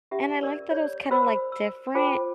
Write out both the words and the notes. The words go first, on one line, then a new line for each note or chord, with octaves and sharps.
and I like that it was kinda, like, different,
C#4 G4 E5
A#4 D5
C#5 D5
F#4 A#4 C5 B5 E6
E6
F4 A4 C5 G5 D6